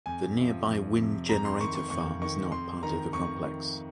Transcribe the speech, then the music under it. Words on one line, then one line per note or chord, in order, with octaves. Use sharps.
The nearby wind generator farm is not part of the complex.
F2 G#5
C3 F3
F2
C3 F3
F2 A#5
C6
D#3 C#6
C#6
F2 C#6
D#3 C#6
F2 C6
D#3 A#5
F2 C#6
D#3